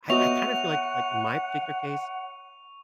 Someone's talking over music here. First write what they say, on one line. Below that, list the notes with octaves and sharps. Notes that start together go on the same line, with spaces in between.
I I kind of feel like like, in my particular case,
B3 F#4 C#5 D#5 E5 F#5 C#6 F7